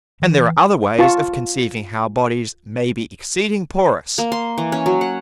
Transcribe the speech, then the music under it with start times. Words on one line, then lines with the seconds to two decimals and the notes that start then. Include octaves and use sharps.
And there are other ways of conceiving how Bodies may be exceeding porous.
0.22 E3
0.99 F4 A5 C#6
4.18 A#3
4.32 C6
4.58 E3
4.72 C#4
4.86 F#3
5.01 F#5